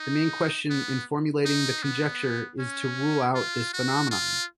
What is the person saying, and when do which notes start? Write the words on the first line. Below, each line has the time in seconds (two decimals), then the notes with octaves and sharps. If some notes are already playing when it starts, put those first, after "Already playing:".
The main question in formulating the conjecture is to rule out this phenomenon.
Already playing: D#4
0.70 B3
1.46 D#4
1.83 B3
2.59 C#4
3.35 F4
3.73 F#4
4.11 F4